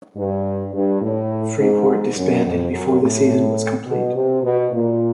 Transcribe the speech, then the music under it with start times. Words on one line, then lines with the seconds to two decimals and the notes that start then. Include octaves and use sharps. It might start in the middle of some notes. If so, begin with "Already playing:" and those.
Freeport disbanded before the season was complete.
0.17 G2
0.74 G2
1.02 A2
1.59 G#2
2.16 F#2
2.45 F2
2.73 F#2
3.01 A2
3.87 B2
4.15 C3
4.43 B2
4.72 A#2